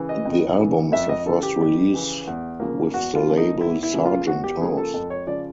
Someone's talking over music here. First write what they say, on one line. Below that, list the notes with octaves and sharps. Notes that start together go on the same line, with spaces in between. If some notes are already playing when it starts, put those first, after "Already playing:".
The album is their first release with the label Sargent House.
Already playing: C#3 E3
D#5
F2
C#3 E3
F2 E5
D#5
C#3 E3 A4
G4
F2
C#3 E3
E2
C#3 F3 A#3
E2 F#4
F4
C#3 F3 A#3
D#4
E2 E4
E4
C#3 F3 A#3
F4
E2 F#4
G4
C#3 F3 A#3 G#4
A4
F2 A4
C#5
C#3 F3 D5